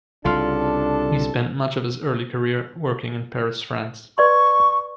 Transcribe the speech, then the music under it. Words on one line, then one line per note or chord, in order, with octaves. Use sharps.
He spent much of his early career working in Paris, France.
C2 C#3 D4 F4 A4 C6 F6
B4 D5 C6 C#6